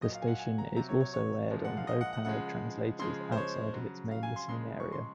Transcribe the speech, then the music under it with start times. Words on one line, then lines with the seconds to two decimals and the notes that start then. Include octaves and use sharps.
The station is also aired on low-powered translators outside of its main listening area.
0.01 A#2 F#3 D#5
0.14 F5
0.22 G#5
0.27 F#5
0.39 G#5
0.58 A#5
0.76 C3 F#3 A#5
0.89 C#5
1.01 C#5
1.14 C#5
1.50 A#2 F3 G#3
1.65 F#5
1.77 F5
1.87 D#5
2.01 F#5
2.13 F#5
2.25 C#3 F3 G#3 F#5
3.00 C#3 F3 G#3 C6
3.32 C5
3.37 C#5
3.74 C#3 F#3
4.11 F5
4.23 G#5
4.36 C6
4.49 C#3 F3 G#3 C6
4.80 C#6
4.92 C6